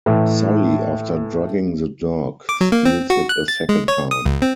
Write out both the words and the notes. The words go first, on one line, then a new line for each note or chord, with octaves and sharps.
Sully, after drugging the dog, steals it a second time.
A2 E3
D6
F#3
A#3
C4
F#4
F#6
A6
G#3
C#5
D#6
C#2
C4